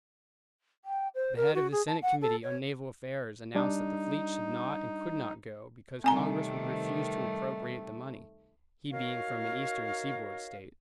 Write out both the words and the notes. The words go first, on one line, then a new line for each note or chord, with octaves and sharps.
The head of the Senate Committee on Naval Affairs announced that the fleet should not and could not go because Congress would refuse to appropriate the money--he being from an Eastern seaboard State.
G5
C5
A#4
F#4
G#4
A5
F#5
A4
C#5
G3 D4 D#4
C3 D#3 G3 A3 C4 G#5 A#5
D#4 F#4 A#4 C#5 F5